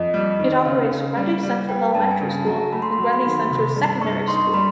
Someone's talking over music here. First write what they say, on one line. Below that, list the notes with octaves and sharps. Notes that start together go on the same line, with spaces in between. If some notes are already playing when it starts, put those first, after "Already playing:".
It operates Grundy Center Elementary School and Grundy Center Secondary School.
Already playing: F2 D#5
G3
D#3
C#3 F5
C#3
G3
G3
B3 G5
G2 A5
G#5
C#3 A5
F#3 A#5
A3 B5
C6
B5
F#3
C6
B5
D#3 C6
B5
C3
G2 B5
G2 C#6
D#4 C6
G3 B5